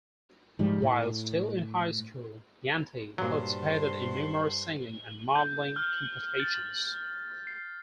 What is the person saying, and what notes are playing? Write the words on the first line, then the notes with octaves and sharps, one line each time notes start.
While still in high school, Yanti participated in numerous singing and modelling competitions.
G#2 F3 G3
A2
G2 A#2 F#3 C5
G6
F6
A6
C7